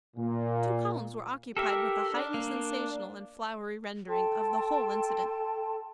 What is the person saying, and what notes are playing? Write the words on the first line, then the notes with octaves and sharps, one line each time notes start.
Two columns were occupied with a highly sensational and flowery rendering of the whole incident.
A#2
G4 A4 A#4 E5
D4
A#3
A4 G5 A5 C6